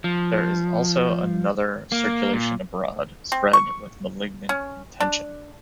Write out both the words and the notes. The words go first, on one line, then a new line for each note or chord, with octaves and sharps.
There is also another circulation abroad, spread with a malignant intention.
F3
A#3
A#2
C4
C#6
C#4
D4